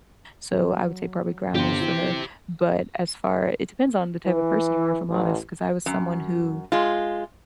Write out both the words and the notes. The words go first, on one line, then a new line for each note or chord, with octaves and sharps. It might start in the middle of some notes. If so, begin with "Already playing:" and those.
so I would say probably Ground News for her, but as far it depends on the type of person you are, if I'm honest, 'cause I was someone who
F#3
G1 D3 G4 C5
E3
E3
A1
F#2
G#3 F4